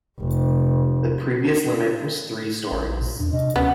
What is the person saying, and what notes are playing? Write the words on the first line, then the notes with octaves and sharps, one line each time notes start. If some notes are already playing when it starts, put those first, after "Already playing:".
The previous limit was three stories.
F1
A#1
A#2
E2 D4
C3 D#5
D2 B3 C#4